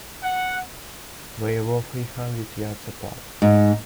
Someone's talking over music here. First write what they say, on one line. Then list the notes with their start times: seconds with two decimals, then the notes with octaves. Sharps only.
They were three hundred yards apart.
0.24 F#5
3.42 G#2